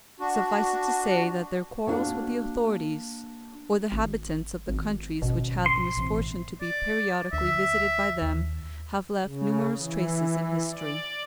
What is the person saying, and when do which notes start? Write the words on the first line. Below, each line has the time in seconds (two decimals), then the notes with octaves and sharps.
Suffice it to say that their quarrels with the authorities, or the inhabitants of the countries which had the misfortune to be periodically visited by them, have left numerous traces in history.
0.20 D4 F#4
1.87 A#3 B3 D4 F#4 A4 D5
3.92 G#1
4.68 G#1
5.22 G#1 B2 C#4
5.66 C6
5.97 A1 E3 C4
6.61 D5
7.33 D2 E5
8.22 D#2
9.23 C#3
9.77 E3
10.71 D5